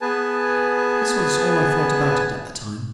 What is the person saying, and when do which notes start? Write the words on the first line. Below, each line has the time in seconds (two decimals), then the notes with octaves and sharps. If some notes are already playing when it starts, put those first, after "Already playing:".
This was all I thought about it, at the time.
0.01 B3 G#4 B4 G#5 A5